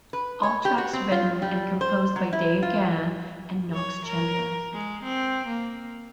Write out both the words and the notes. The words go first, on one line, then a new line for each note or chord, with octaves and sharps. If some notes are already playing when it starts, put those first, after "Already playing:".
All tracks written and composed by Dave Gahan and Knox Chandler.
B4
C#5
G4
F#4
C4
F4
G3
C5
F#3
E4
F4
C#5
A#4
G#3
C4
A#3